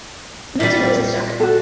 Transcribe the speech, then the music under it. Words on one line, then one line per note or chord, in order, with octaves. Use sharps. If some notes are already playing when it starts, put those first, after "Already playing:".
Milton Rosenstock.
A#2 G3
F#4 A4